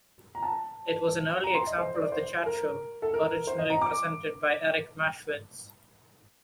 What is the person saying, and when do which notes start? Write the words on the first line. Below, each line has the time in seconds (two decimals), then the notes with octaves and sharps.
It was an early example of the chat show, originally presented by Eric Maschwitz.
0.35 A#5
0.43 A5
1.44 A#5
1.55 C6
1.67 D#5
1.78 C5
1.95 D5
2.12 C5
2.46 A#4
3.02 A4
3.14 A#4
3.47 C5
3.59 D#5
3.70 A#5
3.81 D6